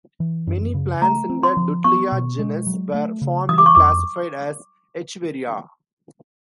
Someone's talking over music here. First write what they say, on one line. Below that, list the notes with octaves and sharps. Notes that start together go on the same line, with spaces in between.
Many plants in the Dudleya genus were formerly classified as "Echeveria".
E3
F#2
C#3
A3 A#5
C4
C6
F3
B3 C#6
B2
G#3
F#3
A3
C#3
E3 D#6
D6
C#6
F2 D6